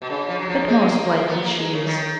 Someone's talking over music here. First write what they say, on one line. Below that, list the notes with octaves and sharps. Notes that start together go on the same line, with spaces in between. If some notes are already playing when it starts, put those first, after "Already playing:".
But most likely she is.
B2
C#3
F3
F#3
F3
G#3
A#3
G#3
A#3
B3
A#3
G#3
C#3
D#3